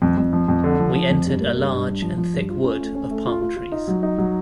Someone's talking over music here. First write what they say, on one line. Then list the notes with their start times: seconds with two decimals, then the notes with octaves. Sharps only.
We entered a large and thick wood of palm-trees.
0.02 F2
0.17 F2
0.33 F3
0.48 F2
0.64 D3
0.80 F3
0.95 F3
1.10 F2
1.26 G2
1.41 A#3
1.56 G2
1.72 G2
1.88 G2
2.02 F3
2.18 F3
2.34 G2
2.50 F4
2.64 C#4
2.80 A3
2.95 C#4
3.11 A3
3.27 F4
3.41 F4
3.56 F4
3.72 D#4
3.88 F#3
4.03 D#4
4.18 F#3